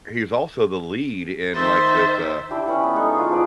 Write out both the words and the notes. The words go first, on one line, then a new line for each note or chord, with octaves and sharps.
he's also the lead in, like, this, uh,
D#3 C5 E5 C6 A6
D4 E4 G4
C#4 B4 F#5
B3
G#3 B3 D#4 A4
F4 F#4 G#4
F3 B4 D5